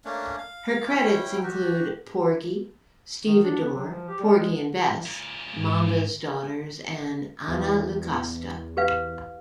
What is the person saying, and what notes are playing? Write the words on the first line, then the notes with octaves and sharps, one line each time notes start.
Her credits include "Porgy", "Stevedore", "Porgy and Bess", "Mamba's Daughters" and "Anna Lucasta".
A3 A#3 C#4 D4
F5
G3 C#4 E4 G5
F#4 G4
D#3
D4
B3
F#3
F3
G4
G3
G#3
A#2 C#3
G#2
E2
G4 B4 F5